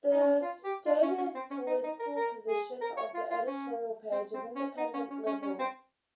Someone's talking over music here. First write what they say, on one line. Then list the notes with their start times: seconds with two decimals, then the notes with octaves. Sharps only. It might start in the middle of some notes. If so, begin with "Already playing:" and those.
The stated political position of the editorial page is "independent liberal".
0.11 D#4
0.20 C#4
0.41 F4
0.64 G4
0.86 F4
1.02 C#4
1.18 C#4
1.35 C4
1.50 C#4
1.67 D#4
1.83 D#4
1.99 A#4
2.16 A#4
2.48 G#4
2.81 A#4
2.97 C#5
3.14 F4
3.30 F4
3.47 C#4
4.12 C4
4.33 C4
4.55 C#4
4.77 D#4
4.93 C#4
5.10 C#4
5.26 C#4
5.42 C#4
5.59 C4